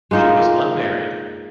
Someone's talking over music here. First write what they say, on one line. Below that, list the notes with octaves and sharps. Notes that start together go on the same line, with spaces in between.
She was unmarried.
G#3 A#3 D#4 F4